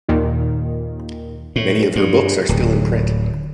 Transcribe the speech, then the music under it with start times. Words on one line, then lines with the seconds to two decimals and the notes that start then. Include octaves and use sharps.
Many of her books are still in print.
0.09 D#2 A#2 D#3
1.56 A2
1.96 G2
2.49 D1